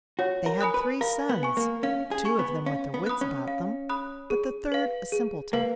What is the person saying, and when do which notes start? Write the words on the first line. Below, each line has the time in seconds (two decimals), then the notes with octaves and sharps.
They had three sons, two of them with their wits about them, but the third a simpleton.
0.19 F#4 C#5
0.46 A#4
0.61 G#5 B5 D#6 F#6
0.74 B4
1.01 A#4 F5
1.29 B3
1.43 G#5 C#6
1.57 A#3
1.83 C#4 F5
2.11 G#4
2.25 G#5 C#6
2.39 B3
2.66 C#4 F5
2.94 B3
3.06 B5 D#6 F#6
3.21 C#4
3.48 F5
3.89 B5 D#6 F#6
4.30 G#4
4.72 B4 F5
5.12 G#4
5.53 A#3 B4 F5